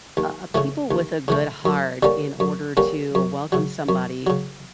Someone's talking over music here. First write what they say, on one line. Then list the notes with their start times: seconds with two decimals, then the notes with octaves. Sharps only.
uh, people with a good heart in order to welcome somebody,
0.17 D#2
0.55 C#3 E3 A3
0.91 D#2
1.28 C#3 E3 A3
1.65 F#2
2.03 D3 G3 A#3 C#4
2.40 F#2
2.77 D3 G3 A#3 C#4
3.15 F#2
3.52 C#3 F#3
3.89 F#2
4.27 C#3 F#3